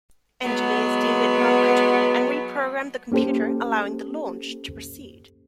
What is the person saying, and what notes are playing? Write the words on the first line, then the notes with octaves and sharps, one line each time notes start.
Engineers deemed it non-critical and reprogrammed the computer, allowing the launch to proceed.
F#3 G#3 B3
A#3 C#4 G4 A4 C5